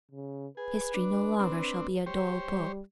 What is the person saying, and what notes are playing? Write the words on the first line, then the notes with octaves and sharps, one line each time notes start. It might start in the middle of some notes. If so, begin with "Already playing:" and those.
History no longer shall be a dull book.
C#3
G#4 B4
D4
C4 D4
G4 C5 C#5
G3